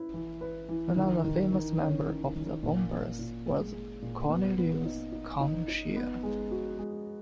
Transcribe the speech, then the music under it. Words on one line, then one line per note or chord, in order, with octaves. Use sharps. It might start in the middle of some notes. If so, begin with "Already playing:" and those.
Another famous member of the Bombers was Cornelius "Con" Shea.
Already playing: E4 B4
E3
B4
E3
D#3
D#3
D#3
C#4
D#3
D#3
A#2
A#2
A#2
G#3
G#3
A#2
B3
B3
D#4
D#4
D#4
D#4
B3
G#3
F#4
G#3